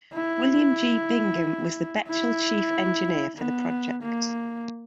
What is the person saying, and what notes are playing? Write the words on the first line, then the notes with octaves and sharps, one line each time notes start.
William G. Bingham was the Bechtel Chief Engineer for the project.
E4
E4
B3
A#3